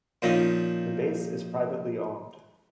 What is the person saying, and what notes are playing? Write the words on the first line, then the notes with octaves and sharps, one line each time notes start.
The base is privately owned.
A#2 F3 C#4 D#4